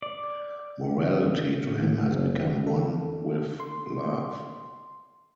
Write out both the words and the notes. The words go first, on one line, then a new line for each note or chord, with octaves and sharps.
Morality to him has become one with love.
D5
A2
F#1
A4
C6